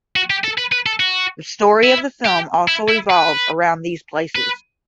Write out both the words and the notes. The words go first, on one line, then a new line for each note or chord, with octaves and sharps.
The story of the film also revolves around these places.
F#4
G4
A4
B4
B4
A4
F#4
E4
G4
E4
E4
B4
B4